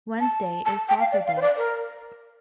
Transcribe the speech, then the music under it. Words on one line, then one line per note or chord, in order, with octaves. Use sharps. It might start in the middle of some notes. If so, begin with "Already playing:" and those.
Wednesday is soccer day.
A5
A5
G5
F5
D5
F5
C5
D5
A#4